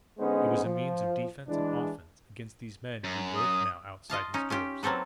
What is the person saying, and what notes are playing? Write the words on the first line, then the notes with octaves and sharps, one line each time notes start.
It was a means of defense and offense against these men who lurked now outside his doors.
D3 G#3 B3 C#4 D#4 C5
F3
E3 G#3 D4
F#2
D#6
F4 D#5 F5 A5
C#4 D#4
C#4 F4 G4
F#3 A#3 C4 A4 B4